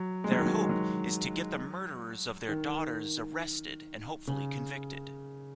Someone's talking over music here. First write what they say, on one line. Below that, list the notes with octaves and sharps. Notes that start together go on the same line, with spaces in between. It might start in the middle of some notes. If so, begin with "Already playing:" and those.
Their hope is to get the murderers of their daughters arrested and hopefully convicted.
Already playing: F#3
G#3
F#3
D#3
F#3
G#3
F#3
D#3
C#3